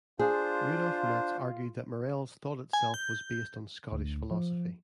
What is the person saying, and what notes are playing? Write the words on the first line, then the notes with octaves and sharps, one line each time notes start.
Rudolf Metz argued that Morell's thought itself was based on Scottish philosophy.
D4 F4 G#4 C5
G#5
G6
D2
F3